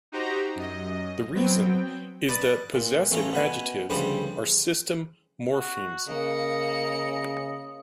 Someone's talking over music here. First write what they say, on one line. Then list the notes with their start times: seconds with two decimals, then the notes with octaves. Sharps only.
The reason is that possessive adjectives are system morphemes.
0.12 D#4 F#4 G4 C5 A#5
0.56 F#2 D#5
1.34 F#3 B3 C4 G5
2.28 B4 D5 D#5 A5
2.74 A#2
3.11 A1 A3 C#4 F5 A#5
3.33 B2 B4 G#5
3.90 D2 C#3 F3 G3 B4 C5
5.53 F#4
6.08 C#3 A#3 D#5 C#7